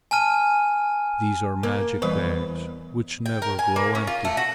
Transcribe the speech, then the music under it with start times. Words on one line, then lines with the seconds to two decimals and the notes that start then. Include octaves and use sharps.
These are magic bags which never grow empty.
0.11 G#5 A5 F6 D#7
1.63 A#3
2.02 E2 E3 G3 B4
3.26 G5
3.42 A#4
3.59 G#5
3.76 A#3
3.95 C#4
4.07 F4
4.25 A3
4.37 F#4